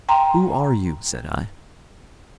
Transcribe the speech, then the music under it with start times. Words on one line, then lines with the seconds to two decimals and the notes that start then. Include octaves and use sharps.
"Who are you?" said I.
0.09 G5 A#5 C6